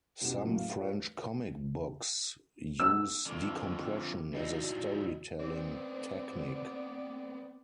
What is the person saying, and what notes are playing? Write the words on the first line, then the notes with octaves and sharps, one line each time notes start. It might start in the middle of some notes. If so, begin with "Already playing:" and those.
Some French comic books use decompression as a storytelling technique.
E2 B2 B3 C#4 G4 E7
A2 C#3 E3 F#3 A3 A#3
F5
F4 A#4 B4 C#5 F5
E6
F2 D3
D#4 E4 F#4 D5 D#5
B3 C4 D5